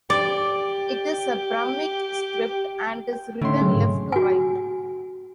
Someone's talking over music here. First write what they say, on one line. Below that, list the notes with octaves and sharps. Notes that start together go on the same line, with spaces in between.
It is a Brahmic script and is written left-to-right.
G4 D5
G5
A2 D3 D#3 C#4 D#4 C6
C3 F#3 G#4
G#2
F#4 G#5